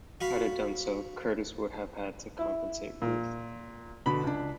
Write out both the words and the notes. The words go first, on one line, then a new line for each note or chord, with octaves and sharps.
Had it done so, Curtiss would have had to compensate Ruth.
F#4 F5 B5
E4
A#2
B2 D3 B5
C#2 D4